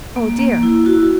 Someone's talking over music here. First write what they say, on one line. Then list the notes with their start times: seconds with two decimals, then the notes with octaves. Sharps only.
Oh, dear!
0.16 A#3
0.39 A#3
0.63 E4
0.86 E4 F#4